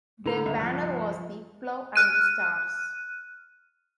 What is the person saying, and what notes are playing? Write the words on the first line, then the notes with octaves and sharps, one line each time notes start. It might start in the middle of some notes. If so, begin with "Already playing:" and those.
Their banner was the "Plough and the Stars".
A2 D3 A#5
G1 C#2 E5
F3 F#6
F6 F#6 D#7